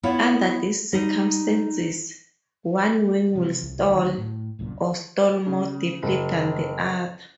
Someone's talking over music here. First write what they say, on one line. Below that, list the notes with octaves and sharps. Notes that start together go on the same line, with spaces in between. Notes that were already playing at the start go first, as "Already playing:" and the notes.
Under these circumstances, one wing will stall, or stall more deeply than the other.
B3 E4 F4 C#5 F5
G3 D#4
C3 F3
C2
D2 D#3
A2
D1 C2 F#2 A#2
C#3
F#1